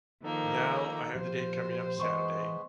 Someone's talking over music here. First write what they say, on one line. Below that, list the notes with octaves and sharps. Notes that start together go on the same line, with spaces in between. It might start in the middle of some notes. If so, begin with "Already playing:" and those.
now I have the date coming up Saturday,
D#3 F3 A#3 D#4 A4
A#2 F3 F4 G4 C5
E3 G#3 B3 D#5 C6 C#6